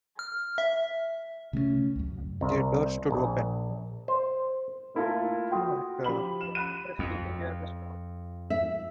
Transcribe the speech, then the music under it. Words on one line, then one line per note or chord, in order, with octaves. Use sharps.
The door stood open.
F6
E5
C3 A3 A#3 C#4
C#2 F#2
C2
A#1
C5
A3 A#3 E4 F4 A4 A#4
F#4 G5 C6 D#6
F3 G4 B5 F#7
E7
B5 F#6 D#7
F2
E5